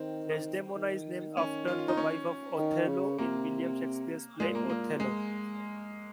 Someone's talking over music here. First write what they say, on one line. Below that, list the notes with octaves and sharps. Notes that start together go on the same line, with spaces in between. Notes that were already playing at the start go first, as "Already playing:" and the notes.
Desdemona is named after the wife of Othello in William Shakespeare's play "Othello".
Already playing: D#3 C4
D#3
C#4
F4
F4
D#4
C#4
D#3
C#3
C3 A#3
A#2 G#3
A#3
C3
A#2 A#3
G#3